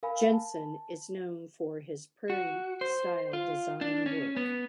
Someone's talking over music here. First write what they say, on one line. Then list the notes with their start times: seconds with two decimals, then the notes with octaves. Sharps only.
Jensen is known for his prairie style design work.
0.03 A#4 F5 G#5 B5
0.33 A5
2.30 F#4
2.81 C5
3.33 F4
3.81 D4
4.06 C#4
4.37 B3